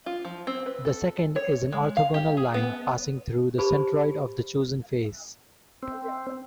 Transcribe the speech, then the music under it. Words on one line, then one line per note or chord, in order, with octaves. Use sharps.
The second is an orthogonal line passing through the centroid of the chosen face.
F4
F3
C4
B4
A4
C#5
G#3
F5
G4
G#4
B3
G4 G#4 C5 A5 B5 C#6
C4